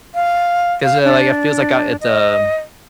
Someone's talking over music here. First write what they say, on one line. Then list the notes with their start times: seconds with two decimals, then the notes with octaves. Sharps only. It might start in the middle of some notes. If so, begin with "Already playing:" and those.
'cause, eh, like, it feels like, uh it's um
0.15 F5
0.83 F5
1.05 D4
2.01 D#5